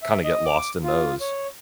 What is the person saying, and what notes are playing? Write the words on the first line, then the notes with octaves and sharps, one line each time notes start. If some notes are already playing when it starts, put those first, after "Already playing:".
kinda get lost in those.
E5
D#5
D6
F4
C#5